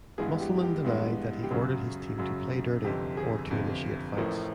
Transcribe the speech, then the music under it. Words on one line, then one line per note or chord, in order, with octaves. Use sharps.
Musselman denied that he ordered his team to play dirty or to initiate fights.
G2 E3 G#3 B3 G#4
G4
G4
G2 E3 G#3 B3
G4
F#2 C#3 F#3 G#4
F#2 C#3 F#3
G1 F2 C3 G4
G#4
G1 F2 C3
A1 A2 F3 A3 A#4